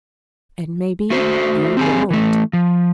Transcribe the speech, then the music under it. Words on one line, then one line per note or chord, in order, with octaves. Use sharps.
"And maybe you won't."
A3 F#4 C5
C4 G4 G#4
E3 A3
F3